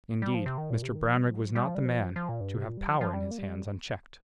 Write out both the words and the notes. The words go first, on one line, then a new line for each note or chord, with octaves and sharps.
Indeed, Mr Brownrigg was not the man to have power in his hands unchecked.
G3
F3
C3
D#3
A#2
C3
D#3
F3
G3
F3
G3
F3
G3
F3
G3
F3
F3
A#2
G2
C3
A#2
G3
F3
F3
G3
A#3
G3